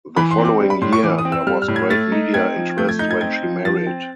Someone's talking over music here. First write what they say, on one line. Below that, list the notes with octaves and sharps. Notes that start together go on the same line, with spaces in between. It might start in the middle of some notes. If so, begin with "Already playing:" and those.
The following year there was great media interest when she married.
E3 B5
C6
C4
D6
G3
B5
A2 C6
C#6
E3 D6
D#6
C4
E6
G3 F6
F6
A2
G#6
A3 A6
D#4
C4 G#6
F3
A3 G6
G#6
D#4 G6
G#6
C4 G#6
F3
F3 A6
C4